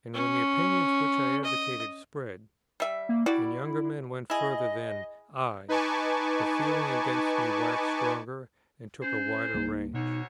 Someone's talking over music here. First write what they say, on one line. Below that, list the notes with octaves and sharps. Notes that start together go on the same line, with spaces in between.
And when the opinions which I advocated spread, and younger men went further than I, the feeling against me waxed stronger and took a wider range.
C#4
D#5
G3 E5
A#3
G3 E4 F#4 D5
E4 G#4 D#5
D#4 B4 G#5 A5 C#6 D6
C#4 G#4 C5
C#2 G3 A#3 D#4
D2 B2 D#4 F#4 C#5